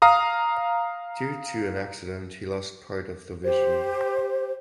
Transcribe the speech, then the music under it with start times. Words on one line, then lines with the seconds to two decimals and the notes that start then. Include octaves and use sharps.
Due to an accident he lost part of the vision.
0.02 F5 A#5 D#6
3.44 G4 C5